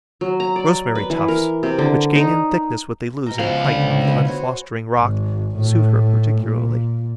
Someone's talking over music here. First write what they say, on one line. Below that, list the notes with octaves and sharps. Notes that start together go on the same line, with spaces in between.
Rosemary- tufts, which gain in thickness what they lose in height on the unfostering rock, suit her particularly.
F#3
A#5
D5
B4
E3
A#4
C3
D3
D#4
B2 G5 A#5
C#2 F3 B3 B4 F5
D3
B3 G#5
F#4 C5 C#5
G#1
A2
A#2